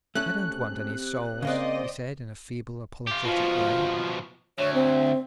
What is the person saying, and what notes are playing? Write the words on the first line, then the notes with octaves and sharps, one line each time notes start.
"I don't want any souls!" he said in a feeble, apologetic way.
A3 C#4 A4 F#6
C3
C#3 A#3 C4 C5 D5 D#5
F4 G4
B2 F3 F4
D2 C#5
C4